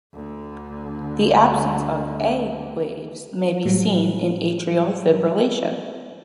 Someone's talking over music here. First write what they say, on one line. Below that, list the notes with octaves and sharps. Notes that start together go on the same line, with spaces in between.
The absence of 'a' waves may be seen in atrial fibrillation.
D2 D3
A2 F#3 G3